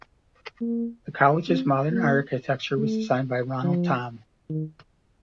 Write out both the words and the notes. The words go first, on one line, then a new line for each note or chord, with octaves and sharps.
The college's modern architecture was designed by Ronald Thom.
A#3
C4
A#3
A3
F3
D#3